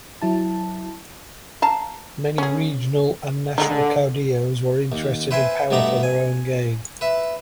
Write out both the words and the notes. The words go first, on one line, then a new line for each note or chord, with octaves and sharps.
Many regional and national caudillos were interested in power for their own gain.
F#3 E4 A5
F5 A5 A#5
C#4 G#4
D3 G#3 A3 D#4
D#2
B4 C5 E5 G5 G#5
G2 B2 A3 B3 D5 A#5
G#5
B4 E5